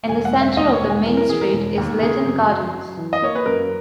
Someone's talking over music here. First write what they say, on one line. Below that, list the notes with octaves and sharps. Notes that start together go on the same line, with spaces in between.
In the centre of the main street is Leighton Gardens.
E1 G#5
F#5
E1
E5
D#2 D#5
C#5
E1
G#5
E3 A#4
A#4
E3 G#4
A#4
E1
D#2
C#3 G#4
F#2
F#3
F#3
E3
D#5
A#3 C#5
B4
F#2 A#4